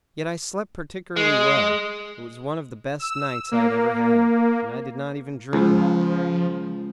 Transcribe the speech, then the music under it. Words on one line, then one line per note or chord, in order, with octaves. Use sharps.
Yet I slept particularly well; it was one of the best nights I had ever had, and I did not even dream.
G#3
E6
A#3
C#2 F3